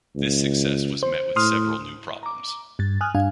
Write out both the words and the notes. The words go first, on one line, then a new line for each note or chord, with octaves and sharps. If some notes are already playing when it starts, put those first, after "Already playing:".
This success was met with several new problems.
C#2
C5
A2 C6 D#6 F6
A#5 D6
G2 A6
G#5 D#6 F6 F#6
G2 D4 F5 G#5